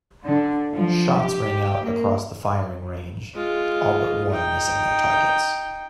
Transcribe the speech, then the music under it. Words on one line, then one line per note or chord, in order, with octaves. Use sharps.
Shots rang out across the firing range, all but one missing their targets.
D3
F3
G4
A#3
G#3 F4
D#4 G5